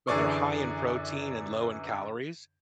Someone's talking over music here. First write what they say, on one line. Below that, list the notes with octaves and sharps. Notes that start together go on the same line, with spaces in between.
but they're high in protein and low in calories
F#2 D3 E3 G#4 D5 C#6